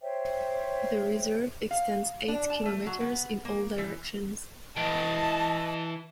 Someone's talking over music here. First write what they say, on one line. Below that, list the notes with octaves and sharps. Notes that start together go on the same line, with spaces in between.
The reserve extends eight kilometers in all directions.
C5 C#5 E5 G5
F5
D4
A5
A3
F#3
B3
A#3
E3
E3 D#5 G5 A5